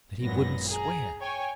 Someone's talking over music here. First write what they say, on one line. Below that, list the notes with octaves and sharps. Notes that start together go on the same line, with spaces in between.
"That he wouldn't swear."
G#1 F#2 A#2 B3 A#6
G#4 A#5
C#5 G5 G#5